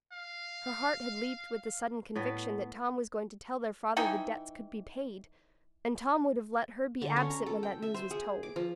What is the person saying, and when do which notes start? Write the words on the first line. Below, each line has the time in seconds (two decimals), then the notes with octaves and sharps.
Her heart had leaped with the sudden conviction that Tom was going to tell their father the debts could be paid; and Tom would have let her be absent when that news was told!
0.12 F5
2.15 A2 B3
3.97 E3 D#4 G5 G#5
7.02 D3
7.16 C#4
7.30 A#5
7.46 A4
7.63 G5
7.82 E5
7.94 C5
8.11 G#4
8.43 D6
8.56 F3